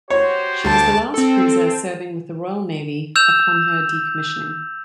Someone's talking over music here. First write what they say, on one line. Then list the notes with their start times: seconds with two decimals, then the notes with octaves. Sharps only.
She was the last cruiser serving with the Royal Navy upon her decommissioning.
0.10 F#4 G4 C5 C#5
0.65 D2 A5 D6
1.14 C4 A4
3.16 E6 G6 E7 F7